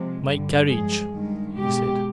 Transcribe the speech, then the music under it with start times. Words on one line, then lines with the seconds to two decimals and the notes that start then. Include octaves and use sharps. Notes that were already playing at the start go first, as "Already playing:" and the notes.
"My carriage!" he said.
Already playing: C3 F3 G#3
0.26 G2 D3 G3
0.69 G2 F3 G#3 G#4
1.12 G2 D#3 G#3
1.55 B2 G#3 G4